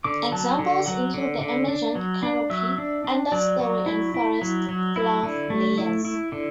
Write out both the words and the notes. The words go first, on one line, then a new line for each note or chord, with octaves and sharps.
Examples include the emergent, canopy, understorey and forest floor layers.
D3 D6
F#3 A5
D3
F#3 F#5
D3
D3
D4
F#3
D4
F#3 E5
D4
D4
F#3 D5
F#3
E4
E4
F#3
F#3
E4
D3
A3
E4
E4
D3